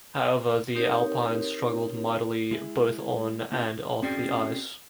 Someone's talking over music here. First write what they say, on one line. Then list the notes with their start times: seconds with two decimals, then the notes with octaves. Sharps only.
However, the Alpines struggled mightily both on and off the ice.
0.75 C4 D#4 G4 A#4 C#5
2.51 G#3 E4 G#4
3.52 A#3 C4 D4 F4 G4 A#4
4.02 C4 C#4 F#4 G#4 D5 G5